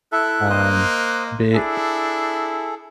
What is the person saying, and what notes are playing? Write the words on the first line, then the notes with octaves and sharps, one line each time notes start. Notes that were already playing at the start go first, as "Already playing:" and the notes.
um, Bi
E4 A4 E5 F#6
A#3 C5 D#5
D4 E4 G#4 A4